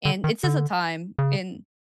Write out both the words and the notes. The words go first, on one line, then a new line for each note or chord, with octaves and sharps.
and it's just a time and
D3
D#3
D3
C#3